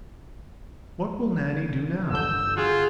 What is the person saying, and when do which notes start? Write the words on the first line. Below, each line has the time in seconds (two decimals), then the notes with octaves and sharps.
What will Nannie do now?
2.11 G1 D3 E6 G6
2.57 F4 F#4 G#4